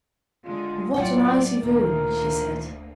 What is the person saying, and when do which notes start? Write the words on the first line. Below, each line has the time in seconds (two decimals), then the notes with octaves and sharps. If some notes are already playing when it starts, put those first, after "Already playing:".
'What an icy room!' she said.
0.45 D3 G#3 F4
0.94 A2 F#3 F4 D5 F#5 G5
1.63 D2 A#2 D#3 A#3 A#4